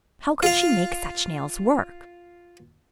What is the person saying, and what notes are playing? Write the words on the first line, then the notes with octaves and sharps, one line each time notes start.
How could she make such nails work?
F4 F5